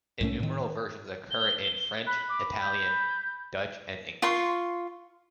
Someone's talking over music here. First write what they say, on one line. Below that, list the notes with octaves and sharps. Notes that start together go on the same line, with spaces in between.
Innumerable versions occur in French, Italian, Dutch and English.
C2 A2 A3 C#4
A2 D#3
G7
B5 F#6
D6
G6
F4 C6 C#6